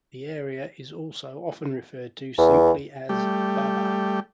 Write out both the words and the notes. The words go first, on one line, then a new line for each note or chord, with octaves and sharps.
The area is also often referred to simply as "Baba".
E2
G3 A3 G4